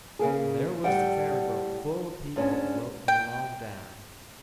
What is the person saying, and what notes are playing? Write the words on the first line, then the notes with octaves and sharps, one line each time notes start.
And there was the ferryboat full of people floating along down.
C#3 A#3 G#4
A2 G3 F#5 G5
G#2 C#4 D4
G5